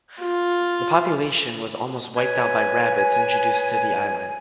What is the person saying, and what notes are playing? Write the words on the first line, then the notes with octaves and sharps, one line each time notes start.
The population was almost wiped out by rabbits introduced to the island.
F4
B4 C#5 G#5